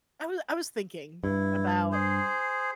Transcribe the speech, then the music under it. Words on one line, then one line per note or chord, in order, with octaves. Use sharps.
I wa I was thinking about
G2 E4
G#4 C5